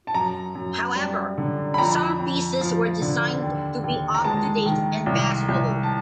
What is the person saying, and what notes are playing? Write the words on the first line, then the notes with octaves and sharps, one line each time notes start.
However, some pieces were designed to be up to date and fashionable.
A5
F#2 A#5
F#2
G3
D3
B5
F2 A#5
F2
F3
D3
D#2
D#2
A#5
G#3 A5
D#3
C2
C2
A5